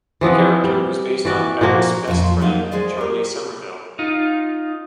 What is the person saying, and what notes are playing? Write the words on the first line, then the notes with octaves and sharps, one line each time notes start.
The character was based on Bancks's best friend, Charlie Somerville.
E3 F3 B3 C4
G3
E3 F#4 D5
A#2 F3 A#3 F#4
F2 A#2 D3 F3
F#3 A#3 D#4 F5
G#3 G#4 C5 D5 D#5
G4 A#4
D#4 F4